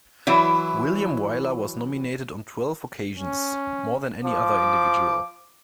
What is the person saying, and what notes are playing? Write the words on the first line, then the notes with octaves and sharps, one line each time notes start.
William Wyler was nominated on twelve occasions, more than any other individual.
E3 F#3 E4
C#4
F3 D6